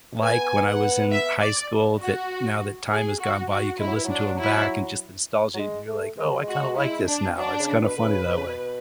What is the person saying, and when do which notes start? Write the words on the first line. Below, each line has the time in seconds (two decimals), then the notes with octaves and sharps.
like when I was in high school that now that time has gone by, you can listen to 'em back and just the nostalgia, you're like, "Oh, I kinda like this now." It's kinda funny that way.
0.22 B3 G#5
0.67 F#5
1.12 E5
1.41 D5
2.00 F#4
2.90 G#4
3.20 F#4
3.49 F#4
3.80 G#3 E4
3.87 F#3
3.96 E3
4.04 F#3
4.09 D4
4.40 E4
5.54 F#3
5.59 G#3
5.88 A3
6.18 G#3
6.31 F#3
6.43 G#3 F#4
6.77 E4
7.07 D4
7.37 F#3 D4
7.60 C#3
7.82 B2 B4
7.97 D3
8.04 C#3
8.26 B2
8.37 C#3
8.46 B2